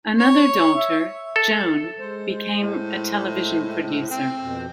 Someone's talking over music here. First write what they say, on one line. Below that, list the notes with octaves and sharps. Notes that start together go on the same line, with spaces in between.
Another daughter, Joan, became a television producer.
C#5
E5
A4
G#3 C5
A2
C4
F2 B2